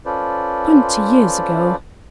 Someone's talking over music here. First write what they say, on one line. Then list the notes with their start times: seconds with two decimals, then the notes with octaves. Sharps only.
Twenty years ago!
0.06 C#4 F4 A4 B4 C5 D5